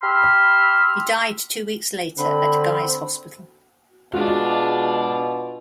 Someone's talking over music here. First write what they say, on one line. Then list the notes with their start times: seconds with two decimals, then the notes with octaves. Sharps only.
He died two weeks later at Guy's Hospital.
0.03 G4 B5 C6 E6 F6
2.18 D3 C4 B5
4.14 B2 G#3 D4 F4 F#4